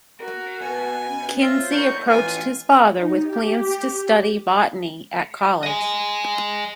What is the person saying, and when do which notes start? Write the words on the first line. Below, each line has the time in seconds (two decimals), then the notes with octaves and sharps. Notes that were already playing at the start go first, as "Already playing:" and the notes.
Kinsey approached his father with plans to study botany at college.
0.20 F#4 A#4
0.61 B2 B4 G#5
1.08 C#4
1.40 F4 C5 C#5 E5
1.72 D2 A#4 C#6 G6
2.08 A2 E3 F4 B4 G#5
2.96 D#4
3.28 G4
5.63 D#5 G#5